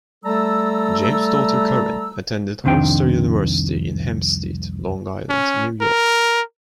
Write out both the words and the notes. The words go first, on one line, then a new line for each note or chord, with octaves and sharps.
James daughter Corin, attended Hofstra University in Hempstead, Long Island, New York.
G3 A3 A4 A5 A#5 E6
C2 F2 D#3 C4 D4 G5
C#4
A#4